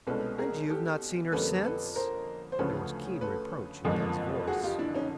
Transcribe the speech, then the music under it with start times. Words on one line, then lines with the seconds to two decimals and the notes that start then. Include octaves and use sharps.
"And you've not seen her since?" There was keen reproach in Ned's voice.
0.07 C2 B2 G#3 C#4 A4 B4
0.38 G#4 A#4
0.69 G4 A4
1.32 F2 D3 G3 A#3 C#4 A4 B4
1.65 A4 B4
1.96 A#4 C5
2.52 C5
2.59 D2 C#3 F3 A3 C#4 A4 B4
3.21 A4 B4
3.85 F#1 F2 D3 F3 G#3
4.47 F#4 G#4
4.63 F4 G4
4.79 D4 E4
4.95 C#4 D#4